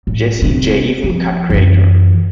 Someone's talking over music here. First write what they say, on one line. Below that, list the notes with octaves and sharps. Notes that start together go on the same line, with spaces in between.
Jazzy Jay-even Cut Creator.
A2
C3 C4
F3
F#2 E3